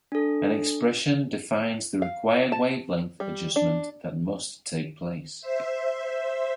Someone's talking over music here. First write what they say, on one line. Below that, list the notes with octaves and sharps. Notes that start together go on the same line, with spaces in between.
An expression defines the required wavelength adjustment that must take place.
D4 A4
F5
A5
G3
D4
C5 E5